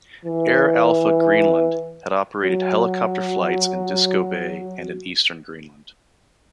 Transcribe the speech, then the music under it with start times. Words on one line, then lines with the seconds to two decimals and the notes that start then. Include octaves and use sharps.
Air Alpha Greenland had operated helicopter flights in Disko Bay and in eastern Greenland.
0.25 E3
2.43 F#3